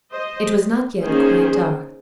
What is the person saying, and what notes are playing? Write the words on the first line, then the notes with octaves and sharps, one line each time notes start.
It was not yet quite dark.
C5 D#5
D#3 A#3 C#4 G#4 C5